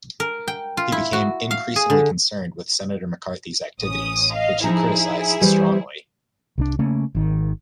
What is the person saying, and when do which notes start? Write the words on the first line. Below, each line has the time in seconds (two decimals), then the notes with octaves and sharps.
He became increasingly concerned with Senator McCarthy's activities, which he criticized strongly.
0.20 A#4
0.48 G5
0.77 F4
0.92 E4
1.13 F#4
1.51 F5
1.76 G#4
1.90 D3
3.82 A1 C#4 D#6
4.33 D#5 F5
4.64 F3 D#4 E4 G#4 A#5
5.41 E3 G3 C5
6.58 C2 F3 D4
6.79 C#3 A3 A#3 C#4
7.15 G#1 D#3